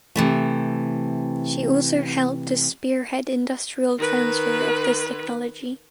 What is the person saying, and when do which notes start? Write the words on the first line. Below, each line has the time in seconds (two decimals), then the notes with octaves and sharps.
She also helped to spearhead industrial transfer of this technology.
0.16 C3 E3 A3
3.98 D#3 B4